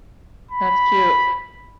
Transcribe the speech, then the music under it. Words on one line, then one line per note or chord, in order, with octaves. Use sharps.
That's cute.
B5